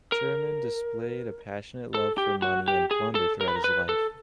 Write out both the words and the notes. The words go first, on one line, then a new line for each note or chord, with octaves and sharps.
Churaman displayed a passionate love for money and plunder throughout his life.
A#4
A4
G4
F#4
G4
G#4
A4
A#4
B4
A#4
B4
A4